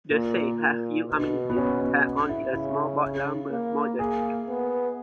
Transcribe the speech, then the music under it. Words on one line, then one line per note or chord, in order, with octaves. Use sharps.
The same had few amenities: had only a small box lumber modest.
A#2 A#3
A#2
B2
B3
C#4
B3
E4
C#3 E4
A#3
A#3 G#4
B3